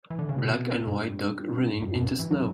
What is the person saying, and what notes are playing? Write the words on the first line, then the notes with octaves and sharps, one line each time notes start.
Black and white dog running in the snow.
E3
D3
C#3
B2
G2
F#2
F#2
G2
E3
F#3